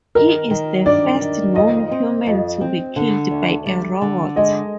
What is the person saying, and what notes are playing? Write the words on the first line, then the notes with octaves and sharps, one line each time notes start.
He is the first known human to be killed by a robot.
D#3 A#4
D#3
D4 D5
D#3
F2 D#5
C4
F2
C4
D3
D2
G3
D3
G#3 D#5